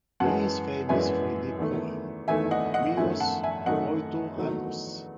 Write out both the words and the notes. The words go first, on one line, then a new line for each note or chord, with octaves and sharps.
He is famous for the poem "Meus oito anos".
F#2 E3 G#3 F#5 A5
F#2 E3 G#3 E5 G#5
E2 D#3 A3
E2 D#3 A3 E5 G#5
D#5 F#5
D#5 F#5
F#2 D#3 A3 E5 G#5
F#5 A5
E5 G#5
F#2 D#3 A3 D#5 F#5
E2 D#3 F#3 A3